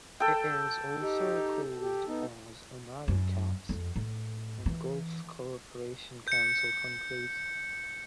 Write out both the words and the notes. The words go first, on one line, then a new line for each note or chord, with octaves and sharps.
It is also called as "Omani caps" in Gulf Cooperation Council countries.
A4 G5
D#4 G4
G4
B3 D#4
F#2
F2
A2
E3
G6 C#7